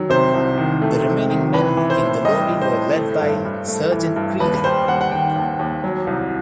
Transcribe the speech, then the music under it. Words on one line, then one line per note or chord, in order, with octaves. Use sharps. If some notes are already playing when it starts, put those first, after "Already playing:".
The remaining men in the lorry were led by Sergeant Creegan.
Already playing: D#3 F#3
C3 C5
C2
D#3
A3
C3
D#3
E3 B4
E3
C5
A2
G3 D#5
A2
C5
A2
A3
G2
G2
A3
E3
G2
D#2 B4
G3 C5
D#2 F#5
F#5
D#3 G5
D#2
D#2
F#3
C2